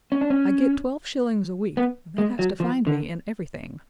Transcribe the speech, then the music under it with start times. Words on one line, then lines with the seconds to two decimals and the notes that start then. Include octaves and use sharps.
"I get twelve shillings a week, and that has to find me in everything!"
0.12 C#4
0.21 D4
0.30 C#4
1.77 B3
2.18 G#3
2.39 F#3
2.60 F3
2.87 D3